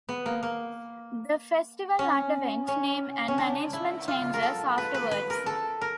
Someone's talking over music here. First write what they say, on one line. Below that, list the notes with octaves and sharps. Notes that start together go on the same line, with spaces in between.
The festival underwent name and management changes afterwards.
B3
A#3
A#3
C#4
C#4
C#4
D4
E4
F4
A#4
A4
B4
B4
B4
A#4
A4
A#4